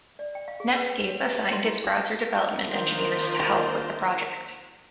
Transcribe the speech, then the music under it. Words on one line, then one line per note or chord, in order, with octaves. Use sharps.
Netscape assigned its browser development engineers to help with the project.
D5
G5
F5
G#4
B4
G5
C#5
B4
C#5
C6
E4
D#3 A#3 D4 F4 A#4 C5